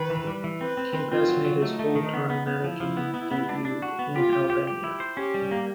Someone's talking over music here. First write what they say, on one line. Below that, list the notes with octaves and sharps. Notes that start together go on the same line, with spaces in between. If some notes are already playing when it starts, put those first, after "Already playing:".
Kempes made his full-time managing debut in Albania.
Already playing: D#3 B4
E3
G3
E3
C4 B4
C4
C4
C4 F4
F#3
F#3
A3 D#4
A3
D#3
B3
B3
B3
F3 E4
F3
B3
B3
B3
D4
D4
F#4
B3
F4 G4
G4
G4
G4
E4
C5
C#4 G4
G3
A#3